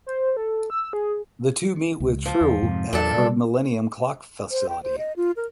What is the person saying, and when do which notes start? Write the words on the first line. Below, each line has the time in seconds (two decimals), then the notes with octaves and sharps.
The two meet with Trieu at her Millennium Clock facility.
0.06 C5
0.37 A4
0.70 E6
0.93 G#4
2.00 C#2
2.25 F3
2.41 E2
2.63 F2 G#2 C3
2.93 E2 A#2 F#3 D4 A4
3.14 C3 G3
4.51 C5
4.69 G5
4.83 C5
4.98 D#5
5.17 F4
5.37 A#4